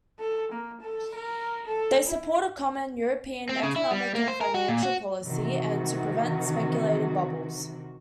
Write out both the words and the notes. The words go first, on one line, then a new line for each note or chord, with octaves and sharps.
They support a common European economic and financial policy, and to prevent speculative bubbles.
A4
A#3
A4
A#4
A4
E4
C4
C#3
E4
G3
A#3
C5
A#4
F#4
A#2
F#4
C3 D#3 E3 F#4